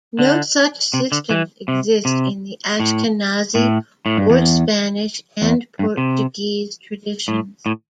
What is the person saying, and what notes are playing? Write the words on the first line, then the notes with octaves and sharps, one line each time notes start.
No such systems exist in the Ashkenazi or Spanish and Portuguese traditions.
D3
C3
D3
E3
C3
C3
A2
A2
A2
G2
E2
E2
G2
C3
A2
A2